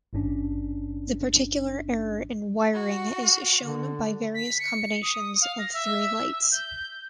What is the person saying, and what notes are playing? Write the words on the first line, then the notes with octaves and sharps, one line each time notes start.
The particular error in wiring is shown by various combinations of three lights.
G#1 G2 C#4 D4
F#4
D3
B6
C#7
D#6
F5
A#6
E5
G6